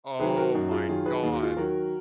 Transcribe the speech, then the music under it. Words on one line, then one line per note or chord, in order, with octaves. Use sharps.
Oh, my god.
D#3 F#3 G#4 B4
F#4 A#4
F#2 D#4 F#4
F4 G#4
D#3 F#3 F4 G#4
G#4 B4
D#2 G#4
F#4
F4 G#4
D#3 F#3 F#4 A#4